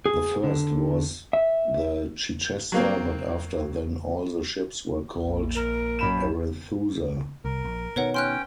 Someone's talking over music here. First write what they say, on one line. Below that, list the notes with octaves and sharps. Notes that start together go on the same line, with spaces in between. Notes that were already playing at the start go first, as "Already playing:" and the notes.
The first was the Chichester, but after then all the ships were called Arethusa.
G#4
D3
E5
F#3 A#3 C4
A#1
A#4
F#2 B5 E7
C2 A#4
A#1
B2 D#3 B4 C#5 F#5
C#4 G5 C6 F6 F#6